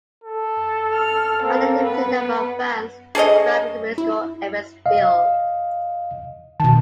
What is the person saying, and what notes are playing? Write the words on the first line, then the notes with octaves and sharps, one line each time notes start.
Only a limited number of fans could cram into minuscule Ebbets Field.
A4
F6
A#3 C4
B3 B4
G#4 A4 C#5 D#5
E4
D#5 F5
B2 D#3 A5